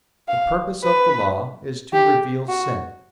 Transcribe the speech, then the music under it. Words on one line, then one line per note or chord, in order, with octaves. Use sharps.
The purpose of the Law is to reveal sin.
F5
B4
G4
F#4